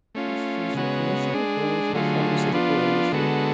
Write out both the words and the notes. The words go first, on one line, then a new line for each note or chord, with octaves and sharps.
These trees are commercially grown for the pharmaceutical industry.
A3 C#4 F4
C#3 G#3 B3 F#4 C#5
G#3 D4 G#4
D3 F#3 A3 F4 G#4
F3 B3 D4 F4
D3 G#3 B3 F#4 A4